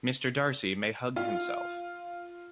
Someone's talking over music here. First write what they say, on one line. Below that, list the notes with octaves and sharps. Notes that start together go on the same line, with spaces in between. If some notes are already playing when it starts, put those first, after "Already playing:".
Mr. Darcy may hug himself.
F4